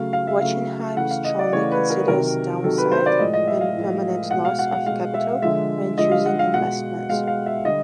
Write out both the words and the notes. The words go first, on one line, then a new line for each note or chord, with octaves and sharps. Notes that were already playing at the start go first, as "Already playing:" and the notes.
Wachenheim strongly considers downside and permanent loss of capital when choosing investments.
Already playing: C#3 F#3 A3 F5
F5
E5
C#3 F#3 A3 F5
C#3 E3 A3 F#5
F5
D#5
D5
C#3 E3 A3 C#5
B4
A#4
C3 D#3 F#3 A#4
C3 D#3 F#3 A4
B4
C5
D5
A2 F3 G#3 D#5
D#5
E5
F5
A2 F3 G#3
B2 G#3 F#5
F5
F#5
F#5
B2 G#3 F5
E5
D3 F3 G#3 E5
D3 F3 G#3 D#5
F5
F#5
F5
B2 G#3 F#5
B2 G#3 F5
F5
E5
D3 G3 D#5